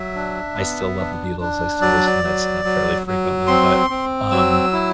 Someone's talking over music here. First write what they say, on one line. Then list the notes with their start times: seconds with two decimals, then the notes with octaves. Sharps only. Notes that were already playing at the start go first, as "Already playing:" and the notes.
I still love the Beatles, I still listen to that stuff fairly frequently, but, um
Already playing: F#3 E5
0.15 D4
0.57 B3
0.99 D4
1.40 D4
1.81 F#3 D5
2.24 F#3
2.65 F#3
3.07 F#3
3.47 C4 C6
3.90 C4
4.31 F#3 E6
4.73 E4